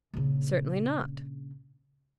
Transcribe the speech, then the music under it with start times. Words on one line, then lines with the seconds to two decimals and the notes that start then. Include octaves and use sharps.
Certainly not.
0.13 A#1 C#3